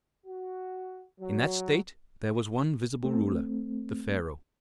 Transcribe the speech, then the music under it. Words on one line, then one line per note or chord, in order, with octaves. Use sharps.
In that state there was one visible ruler,--the pharaoh.
F#4
F#3
A3 C4